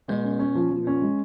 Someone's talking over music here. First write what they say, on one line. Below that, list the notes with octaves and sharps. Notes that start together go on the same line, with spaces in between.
and, you know,
G#3
C#4
C#4
F3
F3
C#4
G#3